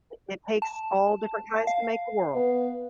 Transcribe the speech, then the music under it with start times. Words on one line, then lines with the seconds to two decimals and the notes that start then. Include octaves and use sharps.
it it takes all different kinds to make a world.
0.62 A5
1.67 F5
2.35 B3